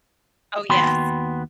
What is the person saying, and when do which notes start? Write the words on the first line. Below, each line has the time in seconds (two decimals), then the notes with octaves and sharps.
Oh, yes.
0.70 D#2 B3 F#4 G5 B5 C6